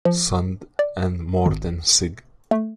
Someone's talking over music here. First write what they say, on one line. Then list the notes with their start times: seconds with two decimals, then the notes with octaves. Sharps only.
Sundt and Morten Sig.
0.05 F3
0.79 D5
1.46 G#1
2.51 A3